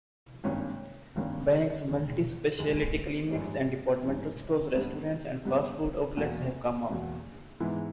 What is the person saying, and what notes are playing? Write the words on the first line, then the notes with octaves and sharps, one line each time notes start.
Banks, multi-specialty clinics, and departmental stores, restaurants and fast food outlets have come up.
G#1 G2 D#3 A#3 C#4
G#1 G2 D#3 A#3 C#4
D#2 D#3 G#3
D#2 D#3 G#3
A#1 G#2 G3 C#4
A#1 G#2 G3 C#4
G2 G3 B3
G2 G3 B3
E2 B2 A#3
E2 B2 A#3
G#2 E3 G#3 B3 E4